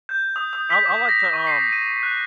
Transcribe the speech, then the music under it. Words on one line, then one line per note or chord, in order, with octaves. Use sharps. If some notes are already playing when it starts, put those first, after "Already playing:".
I I like to, um
G6
D#6
D#6
B6
D6
A#6
C#6
C7
D#7
F#6